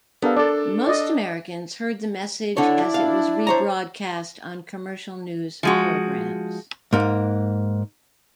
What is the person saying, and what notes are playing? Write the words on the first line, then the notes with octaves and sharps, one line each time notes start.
Most Americans heard the message as it was rebroadcast on commercial news programs.
B3 D4 G4 A4 A#4 F5
D4 A4 D5
D5 D#5
D3 D4 E4 A4 C#5 D5
F5
C5 C#5 A#5
F3 G#3 F#4
G#2 A#3